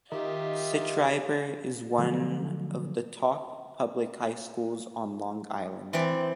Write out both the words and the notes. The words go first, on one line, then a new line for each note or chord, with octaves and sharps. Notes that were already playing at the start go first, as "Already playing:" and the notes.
Schreiber is one of the top public high schools on Long Island.
D#3 F4 G4 D#5 E5
D3 F3 F#3 A3
E3 C4 D5